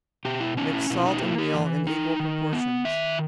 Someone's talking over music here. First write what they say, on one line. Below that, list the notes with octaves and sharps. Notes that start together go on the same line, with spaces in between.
Mix salt and meal in equal proportions.
B2 G4
E4
C#4 D#4
E4
B2 E4
D#4
G4
A#3 E4
G4
E3
D#4
D#3
B3
D#3 E5